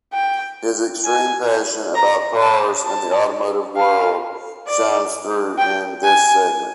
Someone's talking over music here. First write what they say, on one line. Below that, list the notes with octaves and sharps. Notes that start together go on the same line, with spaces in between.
His extreme passion about cars and the automotive world shines through in this segment.
G5
G#5
A#5
A5
A5
F5
D5
G5
G#5